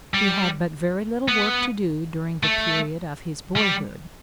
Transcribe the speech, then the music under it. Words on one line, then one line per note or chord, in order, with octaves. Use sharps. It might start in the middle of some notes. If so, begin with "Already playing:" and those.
He had but very little work to do during the period of his boyhood.
G3
B3
A3
G3